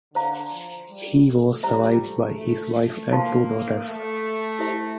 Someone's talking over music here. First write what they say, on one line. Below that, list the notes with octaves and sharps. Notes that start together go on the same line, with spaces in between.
He was survived by his wife and two daughters.
D3 C5 F5 A#5
F3
G3
A3
G3 C5 E5 A#5
A3
A3
A3
A#3 F4 C5 F5 A5 C6
A3
E4 G4 C5 E5